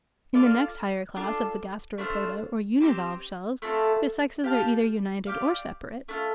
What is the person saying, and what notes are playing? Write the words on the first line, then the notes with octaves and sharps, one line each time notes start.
In the next higher class of the Gasteropoda, or univalve shells, the sexes are either united or separate.
F4 A4 D5 F5
D4 F4 A4
A3 D4 F4 C5
C4 G4 C5
A3 C4 F4 A4
G4 F5 A5
G4 D5 F5
A3 D4 F4